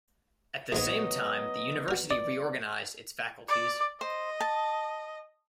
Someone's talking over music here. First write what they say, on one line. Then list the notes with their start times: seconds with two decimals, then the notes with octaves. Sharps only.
At the same time, the university reorganized its faculties.
0.72 A#1 G#2 F#3 B3 C#5 D#5
1.88 F#4 A#5
2.11 D5 D#5
3.48 D5
4.01 C5 D#5
4.41 A5